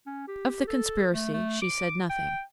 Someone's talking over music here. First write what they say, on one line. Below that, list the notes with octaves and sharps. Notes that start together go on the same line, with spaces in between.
Of the conspiracy she said nothing.
C#4
G4
A4
A3
A3
D6
G5